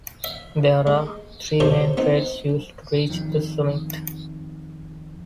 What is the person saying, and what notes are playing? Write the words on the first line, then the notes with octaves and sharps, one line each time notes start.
There are three main trails used to reach the summit.
E5
G#3
G2 B2 A4 C5 C#5 A#5
B3 C4 D#4
F2 D#3